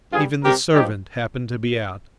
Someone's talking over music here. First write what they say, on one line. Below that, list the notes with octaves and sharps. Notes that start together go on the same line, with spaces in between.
Even the servant happened to be out.
G2 D3 G3 F4 G#4
C3 G3 G4 A#4
G2 F3 D#4 G4